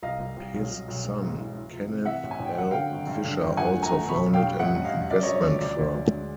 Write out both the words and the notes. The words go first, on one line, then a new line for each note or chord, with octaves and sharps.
His son Kenneth L. Fisher also founded an investment firm.
C2 D#5 F5
C2
C2
B1
B1
B1
G#2
G#2
E3
E3
C#2
C3
E3 E5 F#5
A1
G#5
A1
G5
F#2 F#5
D3 F5 G5
G#1
G2
D3
G1
F2 F#5 G#5
A3
G#5 A#5
A3
B2 B5 C#6
B1
F5 G5
G3
A1 E5 F#5
G2
D#5 F5
G2
C#3 D5 E5
F#2 C#5 D#5
C#5 D#5
F3 D5
D2 D5
D2
D2
G#3